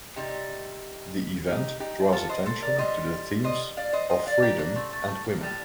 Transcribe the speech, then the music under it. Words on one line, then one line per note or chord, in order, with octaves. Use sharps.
The event draws attention to the themes of freedom and women.
C3 G3 D#4 G4
D#4 G4
D#4 G4
F4 A4
C5 D#5
A4 C5
A#4 D5
D3 G3 C5 D#5
C5 D#5
D5 F5
C5 D#5
C5 D#5
D5 F5
G4 A#4
A#3 D4
A3 C4
A3
A3
A#3
A2 G3 A3